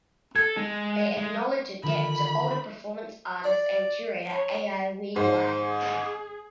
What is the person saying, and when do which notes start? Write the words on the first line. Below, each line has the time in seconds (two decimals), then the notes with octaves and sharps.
They acknowledge a debt to older performance artist and curator Ai Weiwei.
0.36 A4 G#6
0.57 G#3
1.17 G#3
1.84 D3 D#3 F3 B5
3.45 D5
4.32 C#5
5.16 G#2 C5
5.63 G#4